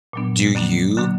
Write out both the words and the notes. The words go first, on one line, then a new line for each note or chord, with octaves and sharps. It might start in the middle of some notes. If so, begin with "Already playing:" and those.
do you
A#2 F#3 B3 D4
D3 F#3 A#3 D4
D3 F#3 A#3 D4